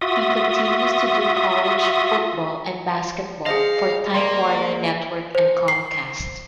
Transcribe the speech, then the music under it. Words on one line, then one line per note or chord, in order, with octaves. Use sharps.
He continues to do college football and basketball for Time-Warner Network and Comcast.
F4 F#4 E5 D#6
G#4 C5 D#5 F5
A#3 D5 C6
C5
C7